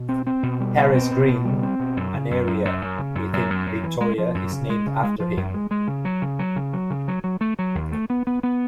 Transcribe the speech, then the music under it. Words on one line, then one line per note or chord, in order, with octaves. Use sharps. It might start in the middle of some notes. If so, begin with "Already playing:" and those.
Harris Green, an area within Victoria, is named after him.
Already playing: B2
C4
C4
B2
G3
B2
C4
B2
B2
G3
C4
B2
F#2
C#3
F#2
F#2
F#2
F#2
C#3
F#2
F#2
F#2
F#2
E3
G#3
F3
F#2
C#3
G#3
C#3
G#3
F3
F#2
G#3
G#3
C#3
F#3
C#3
F#3
C#3
F#3
C#3
F#3
F#3
A3
F#3
D#2
A3
B3
B3
B3